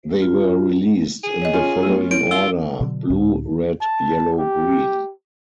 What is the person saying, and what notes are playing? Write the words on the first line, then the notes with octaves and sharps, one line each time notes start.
They were released in the following order: Blue, Red, Yellow, Green.
F4
G#4
C#5 D#5
C#4 F4
F#3 A3 B3
E4 A#4 C#5 D7
F4 E6 G7
B2 D3 F#3
C#2 A2 D3
A5
G4